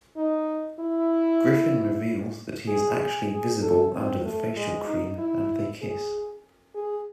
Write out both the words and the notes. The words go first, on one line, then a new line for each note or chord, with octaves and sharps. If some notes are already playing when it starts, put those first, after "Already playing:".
Griffin reveals that he is actually visible under the facial cream, and they kiss.
D#4
E4
G#4
G#4
G#4
A4
C4
A3
G#3
D#4
E4
G#4
G#4